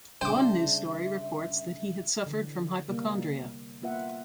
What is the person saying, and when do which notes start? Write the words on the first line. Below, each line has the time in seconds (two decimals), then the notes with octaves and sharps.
One news story reports that he had suffered from hypochondria.
0.21 C#3 G3 D4 C5 E5 G5 D6
2.26 D3 E3
2.89 C3 G3 A#3
3.82 A#3 B3 F4 B4 E5 F#5